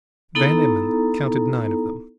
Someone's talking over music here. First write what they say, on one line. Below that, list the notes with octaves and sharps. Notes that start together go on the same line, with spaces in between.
Van Emmon counted nine of them.
B3 D#4 E4 A4 A#5